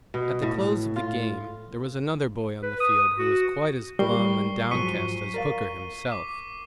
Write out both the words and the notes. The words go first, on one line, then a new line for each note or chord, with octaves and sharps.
At the close of the game there was another boy on the field who was quite as glum and downcast as Hooker himself.
B2
A2
F4
B4
D#6
F#4
G3 A#4 B4 C#6 C7 G7
G#2 F3 F#3 C#6 B6 D#7
A#4 D5 F5
D6